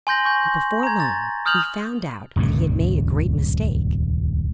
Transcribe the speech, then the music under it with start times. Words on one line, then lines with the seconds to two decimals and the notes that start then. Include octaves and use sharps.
But before long he found out that he had made a great mistake.
0.07 G#5 C6 G6 A#6 F#7
0.25 C#6 G6
0.83 A#5 G#6
1.00 A6
1.46 D#6 F6 G6 F7 F#7
2.36 D#1 C#2 G2 A#2